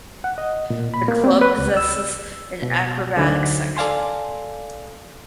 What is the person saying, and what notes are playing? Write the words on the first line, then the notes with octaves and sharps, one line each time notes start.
The club possesses an acrobatics section.
F#5
D#5
A#2
B5
A#3
C4
B4
C#2
E6
B2
D2 D3 F#3 D#4 C5 D6
A4 D5 F5 G#5 C6